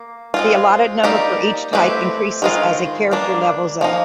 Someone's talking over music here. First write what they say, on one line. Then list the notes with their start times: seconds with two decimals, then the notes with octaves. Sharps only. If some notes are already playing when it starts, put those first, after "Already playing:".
The allotted number for each type increases as a character levels up.
Already playing: A#3
0.34 G#3 C4 F4
1.04 G3 A#3 D#4 G4
1.73 A3 C4 E4 G4 B4
2.42 D#3 G#3 C4 F4
3.11 G3 A#3 D4
3.81 F3 A#3 D#4